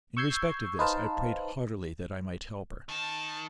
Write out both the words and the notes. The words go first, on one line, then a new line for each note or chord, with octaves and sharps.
In respect of this, I prayed heartily that I might help her.
C#6 E6 G6 G#6 C7
D#4 B4 C5 F5 A5
D#3 A5